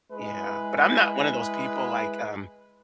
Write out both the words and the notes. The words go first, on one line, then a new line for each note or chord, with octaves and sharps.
Yeah, but I'm not one of those people like, um,
G#3 E4 B4